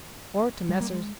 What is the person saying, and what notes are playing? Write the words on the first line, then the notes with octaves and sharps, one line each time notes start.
Or to Messrs.
G3
A#3
G#3